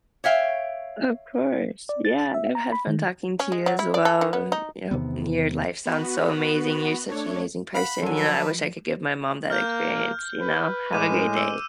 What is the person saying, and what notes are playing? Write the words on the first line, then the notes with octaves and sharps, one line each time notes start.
Of course, yeah, I've had fun talking to you as well. Yup, your life sounds so amazing, you're such an amazing person. You know, I wish I could give my mom that experience, you know? Have a great day.
C#5 E5 F5 G5
D5
A6
E5
A#5
B5
D#3
C#4
G#3
F#3
E4
D5
A4
D#3
B3
D#4
E2 C3 D#3 B3
B3 F#4 B4
A3 D4 C#5
F5 F#5 B5
F3 F#3 D4 A4 G#5
B4
A#3 F6 G6
B4
A2 G#3 D6 D#7
E6